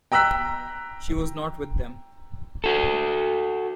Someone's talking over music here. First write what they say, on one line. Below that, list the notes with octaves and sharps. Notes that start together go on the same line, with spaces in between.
She was not with them.
G5 A#5 E6 F#6 B6
F#4 A4